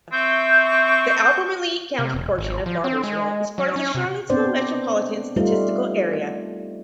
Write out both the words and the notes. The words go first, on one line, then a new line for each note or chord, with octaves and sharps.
The Albemarle County portion of Barboursville is part of the Charlottesville Metropolitan Statistical Area.
C4 E5 C#6 G6
C3
E1
G#1
F3
C4
G#3
F#3
C#4
C3
B3 C4 D4 C5 D5
G3 A3 D#4 F4